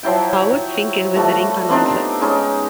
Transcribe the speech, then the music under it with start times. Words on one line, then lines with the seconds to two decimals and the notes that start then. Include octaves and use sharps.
Howard Finkel was the ring announcer.
0.03 F3 F#3 E4 G5
0.42 C#5
1.15 F3 G3 A3 F#4
1.69 B3 C4 D4 D#4
2.21 G#3 C#4 D#4 G4